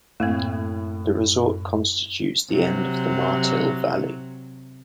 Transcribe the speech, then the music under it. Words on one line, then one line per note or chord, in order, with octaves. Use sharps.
The resort constitutes the end of the Martil Valley.
F#2 A2 A3 A#3 C4
C3 F#3